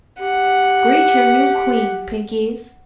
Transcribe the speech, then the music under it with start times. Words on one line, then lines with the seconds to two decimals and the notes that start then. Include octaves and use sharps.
"Greet your new Queen, Pinkies!"
0.20 G4 F#5